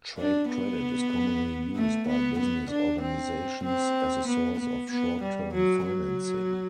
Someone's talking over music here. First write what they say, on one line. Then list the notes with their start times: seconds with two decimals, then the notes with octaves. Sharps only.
Trade credit is commonly used by business organisations as a source of short-term financing.
0.17 D4
0.50 B3
1.76 A3
2.08 B3
2.39 B3
2.71 D4
3.01 C4
3.65 C4
4.28 B3
4.60 B3
4.91 B3
5.23 G3
5.54 F#3
5.86 F#3